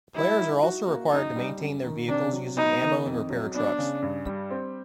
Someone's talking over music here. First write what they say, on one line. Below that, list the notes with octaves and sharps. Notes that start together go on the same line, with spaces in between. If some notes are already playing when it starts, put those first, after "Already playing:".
Players are also required to maintain their vehicles using ammo and repair trucks.
G3 E4
D#4
F#4
A#3
F#2 D#4
G3
F#2
D#3
C3 D4
F#3
B3 D#4
D#3
F2
F#3
B3 D4
C#3
G2
G3
C4